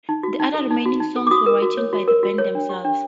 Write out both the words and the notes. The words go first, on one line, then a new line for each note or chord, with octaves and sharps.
The other remaining songs were written by the band themselves.
D#4
F#4
D#4
A4
D#4
F#4
D#4
A4
D6
F#4 D#6
A#4
F#4
C#5
F#4
A#4
F#4
C#5
D4
G4
D4